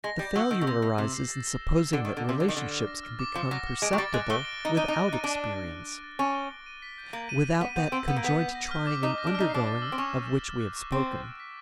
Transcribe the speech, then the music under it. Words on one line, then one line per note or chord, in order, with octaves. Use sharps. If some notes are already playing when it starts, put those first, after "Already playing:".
The failure arises in supposing that relationships can become perceptible without experience--without that conjoint trying and undergoing of which we have spoken.
G#3 A#6
G3 G6
F#3 E6
D#3 E6
B2
C3 A#6
B2 G6
C3 E7
C7
A6
G7
E7
C7
D3 A6
D#3
F6
D3
C3 D6
D3 D6
D#3
D3 A6
F6
A#6
F6
D6
F3 C#7
F#3 A#6
F6
G#3 D7
F#3
G3 A6
G#3 F#6
A3 G7
D7
D#4 A6
D#4 D#7
D#4
A#6
D#4 F#6
D4 G7
D#7
A#6
G7
D7
A6
C#4 A6
G7
D7
D#7
B6
G6
A#3 F#7
D#7
B6
B3 B6
B3 G6
C4 E6
B3 D#7
A#3
B3 B6
G6
A#6
F6
D6
D#4 D6
A#6
D4
F6
D#4
D4 C7
A6
E6
C4
C#4 E7
C7
A6
A6
F#6
C#6
C4 D7
A6
F#6
B6